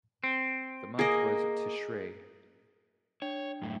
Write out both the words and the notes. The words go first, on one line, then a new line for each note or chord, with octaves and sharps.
The month was Tishrei.
C4
A#3 G#4 D#5
D4 C#5 G5
F#2 A2